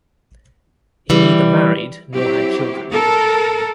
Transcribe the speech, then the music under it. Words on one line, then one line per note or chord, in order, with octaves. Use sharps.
He neither married nor had children.
E3 G3
F#3 C4 E4 G4
A4 A#4